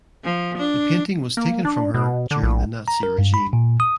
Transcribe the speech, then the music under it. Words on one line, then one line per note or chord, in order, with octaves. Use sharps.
The painting was taken from her during the Nazi regime.
F3
D4
A#3
D4
B2
D3
A#1
A#5
A#4
G2
B5
A#2
D#6